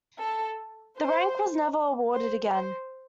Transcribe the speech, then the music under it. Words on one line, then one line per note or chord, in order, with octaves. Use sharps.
The rank was never awarded again.
A4
C5
C5
C5